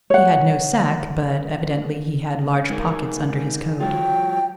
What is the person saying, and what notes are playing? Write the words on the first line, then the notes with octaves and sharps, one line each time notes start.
He had no sack, but evidently he had large pockets under his coat.
C#5 F#5
G#3 D#4 A#4
F#3 F4 G5